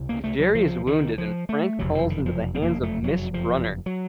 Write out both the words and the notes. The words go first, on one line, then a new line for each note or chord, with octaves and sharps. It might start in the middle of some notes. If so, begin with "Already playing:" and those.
Jerry is wounded, and Frank falls into the hands of Miss Brunner.
Already playing: C#2 C3
A#3
A3
F#3
F3
D#3
F3
A3
F#1 F2 C3 F#3
F3
D#3
F3
C4
A#3
A3
F#3
F3
F#3